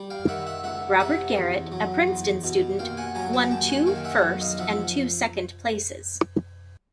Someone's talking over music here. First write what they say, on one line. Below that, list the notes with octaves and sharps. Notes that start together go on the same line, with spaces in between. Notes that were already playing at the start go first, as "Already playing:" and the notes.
Robert Garrett, a Princeton student, won two first and two second places.
Already playing: G3
F5 G5
D#3 E5 F#5
E5 F#5
C#2 E5 F#5
C3 E5 F#5
E2
F#3
E2
B2
D#2 F5 G5
F#5 G#5
F#3 G#5 A#5
G5 A5
D#2 G5 A5
F#5 G#5
D#3 F5 G5
E5 F#5
B1
D#5 F5
F3 E5 F#5